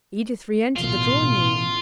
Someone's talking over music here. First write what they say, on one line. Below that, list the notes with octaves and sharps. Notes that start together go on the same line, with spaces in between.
Edith re-entered the drawing-room.
A1 B2 F4